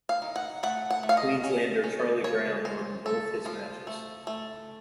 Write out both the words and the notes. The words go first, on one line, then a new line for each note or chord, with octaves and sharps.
Queenslander Charlie Brown won both his matches.
F5
D#3
F#5
A3 F#5
F#5
A3
F5
D#5
C#4
C#4
F3 C#5
C#4 C5
A3 A4
F3 F4
A3
A3